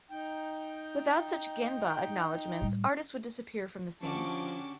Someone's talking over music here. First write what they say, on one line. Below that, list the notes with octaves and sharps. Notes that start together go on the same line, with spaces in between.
Without such "genba" acknowledgments, artists would disappear from the scene.
D#4 G5
A2 G3
D3 F3 C#4 F#4 G4 A5 C#6 D6